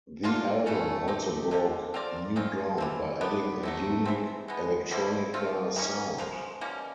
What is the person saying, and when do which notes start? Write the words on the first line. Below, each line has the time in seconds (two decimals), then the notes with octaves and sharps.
The album also broke new ground by adding a unique electronica sound.
0.23 F#3 A#3 D4 F4
0.66 E3 A3 C#4
1.08 C4 D#4 G4
1.51 D3 F3 G#3
1.94 C4 F4 A#4 D5
2.36 D#3 G#3 C4 F4
2.78 E3 G3 C4
3.21 B3 D4 G4
3.63 F#3 A3 C4
4.05 E3 G#3 C4
4.48 B2 G#3 B3
4.91 B2 G3 C4 E4
5.34 A3 C4 F4
5.76 D#3 G3 A#3 C#4
6.18 C#3 F3 G#3
6.61 B2 G3 A#3 C#4